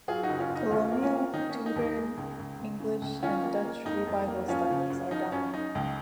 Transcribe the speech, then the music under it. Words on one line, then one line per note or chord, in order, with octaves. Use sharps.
Colonial, Tudor, English and Dutch Revival styles are dominant.
F#3 F4 G#4
D#4 F#4
F#1
C#4 F4
F#1
D#4
D#2 C#4 F4
A#3
C#4 F4
A#3
D#3 D#4
C#4
A#3
D#4
D#2
D#4
G#3
C#2
C#2
C#2
C#3
C#2
D#3 C#4 F4
A#3
A#3
F2 D#4
F2
A#3
F3 C#4 F4
C#3
F#2
F3 D#4
F#2 C#4
F#2 D#4
C#2